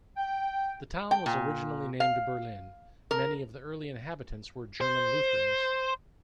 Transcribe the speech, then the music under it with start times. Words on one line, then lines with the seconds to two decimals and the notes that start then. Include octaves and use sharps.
The town was originally named Berlin; many of the early inhabitants were German Lutherans.
0.17 G5
1.11 G5
1.26 A#2
2.00 F5
3.11 A#4
4.81 C5